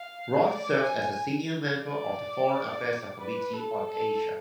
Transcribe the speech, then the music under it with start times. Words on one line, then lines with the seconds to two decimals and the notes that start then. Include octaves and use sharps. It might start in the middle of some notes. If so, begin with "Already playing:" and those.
Royce serves as a senior member of the Foreign Affairs Subcommittee on Asia.
Already playing: F5
0.45 D5
0.79 G#5
1.82 D5
3.18 B4
3.53 A4
3.87 A4